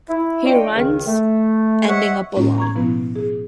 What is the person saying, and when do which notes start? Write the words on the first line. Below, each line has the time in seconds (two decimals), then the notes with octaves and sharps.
He runs, ending up alone.
0.09 E4
0.45 D4 F4 C#5 D#5 G5
0.75 C#2 D#3
1.07 A3
1.88 C5 C#5 D#5 E5 F#5 C#6
2.37 A2 G#3 A#3 C#4 D#4 F4
2.58 A#5 C#6 G#6
2.75 B2 F3 B3 E4 B4
3.15 G#4